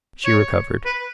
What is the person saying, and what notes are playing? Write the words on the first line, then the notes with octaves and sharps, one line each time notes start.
She recovered.
C#5
B4